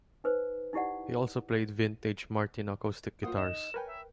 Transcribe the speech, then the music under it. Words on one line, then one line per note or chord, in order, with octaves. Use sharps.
He also played vintage Martin acoustic guitars.
D#4 B4 C5
D#4 E4 G4 D5 F#5
A#3 F4 C5 F#5 D#6
D#2 D#4 D#5 E7
A#4 B4 C#5 G5 G#5
E5